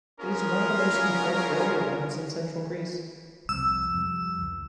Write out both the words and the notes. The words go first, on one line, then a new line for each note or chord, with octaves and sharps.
It is one of the most important railway lines in Central Greece.
B3 C#4 F4 G#4 A#4
C2 F2 E6
F2 F3 G3
C#2